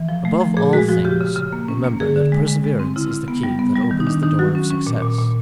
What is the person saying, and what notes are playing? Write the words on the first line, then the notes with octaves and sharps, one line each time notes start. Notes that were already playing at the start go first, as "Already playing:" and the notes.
Above all things, remember that perseverance is the key that opens the door of success.
Already playing: E3
F3
A3
F3
A#2 G#4
G#3 F#4
F3 F#4
C#3 G4
C#3
C#3
A#3
C#4
A#3
D3 G#4
D3
G#3
G#3
G#3
C4
C#3 E4
C#3
B3
G3
B3
G3
D#3
D#4
D#3 D4
D#3 D#4
F#3 F#4
C#4
C#4
A#2
A#2
A#2